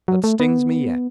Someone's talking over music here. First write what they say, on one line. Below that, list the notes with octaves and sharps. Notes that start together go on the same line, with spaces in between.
That stings me yet.
F#3
A3
B3